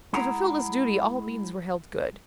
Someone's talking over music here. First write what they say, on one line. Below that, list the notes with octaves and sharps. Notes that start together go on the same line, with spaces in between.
To fulfil this duty all means were held good.
G#3 E4 G#4 F#5 A#5